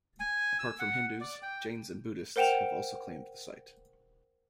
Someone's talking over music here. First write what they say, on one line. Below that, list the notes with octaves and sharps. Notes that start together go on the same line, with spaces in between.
Apart from Hindus, Jains and Buddhists have also claimed the site.
G#5
E6
F#5
D5
G5
A#4 C5 F#5 G5 E7 F7